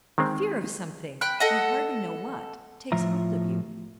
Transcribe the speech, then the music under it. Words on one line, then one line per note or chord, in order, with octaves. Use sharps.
'A fear of something, you hardly know what, takes hold of you.'
D#3 G#3 C4
G5 B5 F#6
A4 D#5 F#5
A2 F3 F4 E5 A#5